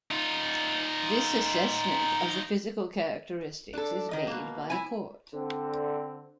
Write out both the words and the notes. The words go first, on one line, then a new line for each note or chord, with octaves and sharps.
This assessment of the physical characteristics is made by a court.
D#4 F4
D4 A4
D#3 D#5
B2 A#3
E4 G#5
D3 C4